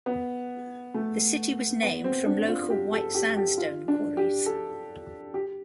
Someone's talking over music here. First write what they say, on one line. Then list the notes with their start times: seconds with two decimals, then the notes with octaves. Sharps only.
The city was named from local white sandstone quarries.
0.06 B3
0.94 A3
1.83 B3
2.04 C4
2.26 D4
2.48 F4
2.70 G4
2.93 A4
3.14 G4
3.37 G4
3.58 F4
3.88 D4
4.17 G4
4.46 A4
5.34 G4